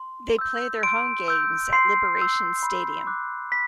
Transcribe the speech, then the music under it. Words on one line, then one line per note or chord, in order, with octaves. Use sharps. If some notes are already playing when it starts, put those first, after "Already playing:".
They play their home games at Liberation Stadium.
Already playing: C6
E6 G6
C6 D7
E6 G6
C6 C7
E6 G6
B5
D6 F#6
B5 B6